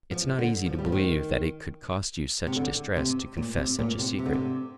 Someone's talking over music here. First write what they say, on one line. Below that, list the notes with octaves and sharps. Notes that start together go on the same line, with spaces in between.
It's not easy to believe that it could cost you such distress to confess such a secret....
F3
D3
F3
G3
F3
D#3
C3
D3
C3
A#2
C3
A#2
C3
C3
D3
C3